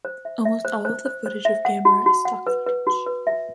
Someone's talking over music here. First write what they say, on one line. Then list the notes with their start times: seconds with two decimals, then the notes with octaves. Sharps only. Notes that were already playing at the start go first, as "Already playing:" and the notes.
Almost all the footage of Gamera is stock footage.
0.05 C5
0.25 E5
0.45 E5
0.65 C5
0.85 C5
1.06 C5
1.26 C5
1.45 E5
1.65 F#5
1.85 F#4
2.06 F#4
2.25 F#5
2.47 B4
2.67 B4
2.87 F#4
3.06 B4
3.27 E5